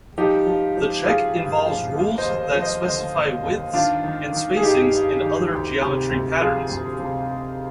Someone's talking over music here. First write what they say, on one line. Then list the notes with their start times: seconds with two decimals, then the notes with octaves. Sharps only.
The check involves rules that specify widths and spacings and other geometry patterns.
0.18 F3 D#4 G4
0.47 F3
0.77 F3
1.06 F3 F4 G#4
1.36 G2
1.66 F3
1.96 D#2
2.18 C5 D#5
2.25 D#2
2.55 F3
2.62 C5 D#5
2.84 D3 C5 D#5
3.15 D#2
3.44 D#2
3.73 D#3 D4 F4
4.04 D#3
4.32 D#3
4.57 G#4
4.62 G2 D#4 G4
4.93 G2
5.22 D#3
5.52 D2
5.81 C3
6.11 D2
6.41 F3 F4 G#4
6.70 D2
6.99 C3